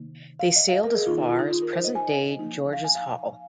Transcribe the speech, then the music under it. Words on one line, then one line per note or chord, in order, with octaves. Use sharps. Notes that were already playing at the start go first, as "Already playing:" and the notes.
They sailed as far as present day Georges Hall.
Already playing: C3 D#3 A#3 D#4
F5
D#5
F5
D#5
A#4
G#4
D#3 A#3 D#4 F4
D#4
F4
D#4
F4
A#4
C5
D#5
G#5
F3 A#3 D#4
F5
G#5
F5